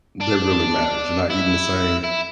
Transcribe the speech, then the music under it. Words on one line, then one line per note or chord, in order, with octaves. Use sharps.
That really matters, you're not eating the same.
D4
E4
E4